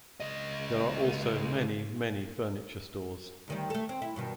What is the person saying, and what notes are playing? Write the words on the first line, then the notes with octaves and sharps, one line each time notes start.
There are also many, many furniture stores.
C#2 D#5
D2 D#3 G3
A3 A4
C4
E4
G2 B2 D#3